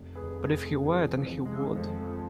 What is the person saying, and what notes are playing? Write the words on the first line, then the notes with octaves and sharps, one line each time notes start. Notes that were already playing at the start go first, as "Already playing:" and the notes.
But if he were, then he would.
Already playing: F1
G#4 B4
F1
G#4
F1
A4
E3 G#4
F2
G#3
F2 A4
A4
F3